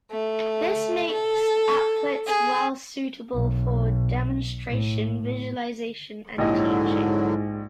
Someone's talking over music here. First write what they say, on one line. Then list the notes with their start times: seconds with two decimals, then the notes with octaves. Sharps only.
This makes applets well suitable for demonstration, visualization, and teaching.
0.11 A3
1.12 A4
2.27 G#4
3.34 B1
4.68 A2
6.38 A#1 G#2 D3 F#3 E4 G4 D#5